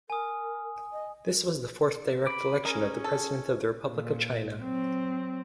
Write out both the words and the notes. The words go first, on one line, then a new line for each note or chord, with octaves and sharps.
This was the fourth direct election for the President of the Republic of China.
A#4 G#5 D#6
D#5
B5 D6
C#4 G#4 A#4 D#5
A4
A#2
F#3 C4